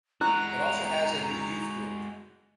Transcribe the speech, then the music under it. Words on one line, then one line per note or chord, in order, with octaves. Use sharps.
It also has a new Youth Group.
G#3 E4 F#4 A#5 F#6